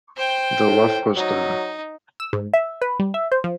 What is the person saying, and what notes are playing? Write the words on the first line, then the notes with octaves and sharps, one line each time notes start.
The love was there.
C5 G5
A2
F#3 D#4
E6
G#2
E5
B4
G3
E5
C5
F3